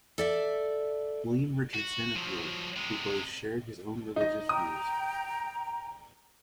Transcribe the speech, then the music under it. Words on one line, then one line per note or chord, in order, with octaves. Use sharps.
William Richardson of York, who both shared his own religious views.
A4 D5 E5
F#4
F3 F#3
C3 G#3
D#4 D#5
G5 A#5 D#6